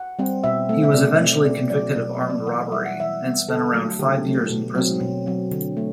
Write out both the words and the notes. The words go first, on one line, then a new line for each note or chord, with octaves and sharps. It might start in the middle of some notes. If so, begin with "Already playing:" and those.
He was eventually convicted of armed robbery and spent around five years in prison.
Already playing: F#5
G3 C4
B2 E5
A3 C4
E5
B2 D5
A3 C4
B2 D5
F#3 B3 D5
B2 D5
D5
F#3 B3
D5
E3 F#5
G3 B3 E5
F#5
E3 E5
G3 B3
D3 A4
F#3 A3
D3 G4
F#3 A3
B2
F#3 C4
B2
F#3 C4
D3
A3